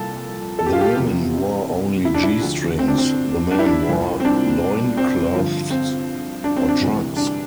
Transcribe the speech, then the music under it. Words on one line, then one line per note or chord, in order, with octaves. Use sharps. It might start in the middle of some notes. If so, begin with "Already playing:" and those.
The women wore only G-strings; the men wore loincloths or trunks.
Already playing: C2 A#2 F3 A4
A4
G4
F4
G4
E2 C3 F3
E4
D4
E4
D2 D3 F3
C4
D4
C4
D4
E4
D4
C2 A#2 F3
C4
D4
C4
G2 D3 F3
C4
D4
C4
D4
C2 C3 E3
D4